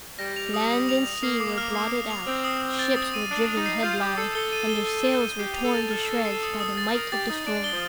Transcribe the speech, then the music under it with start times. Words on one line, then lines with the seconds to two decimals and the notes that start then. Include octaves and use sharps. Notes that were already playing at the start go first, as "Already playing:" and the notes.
Land and sea were blotted out, the ships were driven headlong, and their sails were torn to shreds by the might of the storm.
0.19 G3 A#6
0.36 F7
0.54 D#6
0.71 D#6
0.89 F7
1.06 F7
1.23 A#3 C7
1.40 D6
1.58 F6
1.75 C7
1.92 C7
2.10 F7
2.27 C4 D#6
2.44 D#6
2.62 D#6
2.79 A6
2.96 D#6
3.14 D#7
3.31 D4 C7
3.48 F7
3.57 D#4
3.66 C7
3.83 F4 G6
4.00 G4 G6
4.17 A4 C7
4.35 A4 G7
4.52 D#7
4.69 G7
4.87 D#7
5.04 D#7
5.22 D#7
5.39 G4 C7
5.56 F7
5.65 A4
5.73 A6
5.91 F6
6.08 A6
6.25 C7
6.43 D#6
6.60 D#6
6.77 A6
6.95 A#4 D#6
7.12 G4 A6
7.29 D#4 D#6
7.46 D4 D7
7.64 G7
7.72 F3